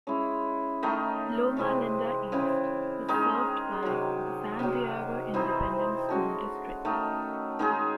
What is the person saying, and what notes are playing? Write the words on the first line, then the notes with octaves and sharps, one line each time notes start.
Loma Linda East is served by the San Diego Independent School District.
G#3 C#4 E4
D#3 A3 D#4
C3 E3 G#3 C4
C#3 E3 C4
D#3 G#3 D#4 G#4
C3 D#3 F#3
C3 D#3 F#3
E3 C4 D#4
G#3 C#4 F#4 A4
D#3 A3 D#4
D#3 G#3 D#4 G#4